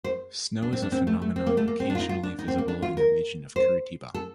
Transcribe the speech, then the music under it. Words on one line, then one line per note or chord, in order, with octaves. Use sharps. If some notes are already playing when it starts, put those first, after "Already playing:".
Snow is a phenomenon occasionally visible in the region of Curitiba.
C5
D4
C4
D4
C4
A3
A3
C4
A#3
A3
A#3
C4
D4
F4
D#4
F4
D4
D#4
C4
A#3
D4
F4
A#4
C5
A4